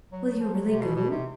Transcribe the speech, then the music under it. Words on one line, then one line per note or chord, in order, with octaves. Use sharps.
'Will you really go?
F#3
F#3
F3
F#3
C3
B2
B2
C3